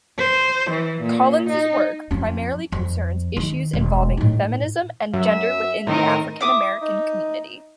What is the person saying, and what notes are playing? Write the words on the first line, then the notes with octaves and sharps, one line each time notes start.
Collins's work primarily concerns issues involving feminism and gender within the African-American community.
C5
E3
A#2
D#4
F2 C#4
F2
D#3 E4
E1
A2 D#4
F#2 E5
A2 D#3 C4 D#4 A#4
E4 E5 D6 D#6
D#4